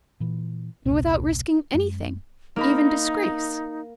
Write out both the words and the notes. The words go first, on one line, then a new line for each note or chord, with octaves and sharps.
And without risking anything--even disgrace!
A#2 E3
E1 C2 A#2
F#2 G#3
A#3 D#4 A#4 B5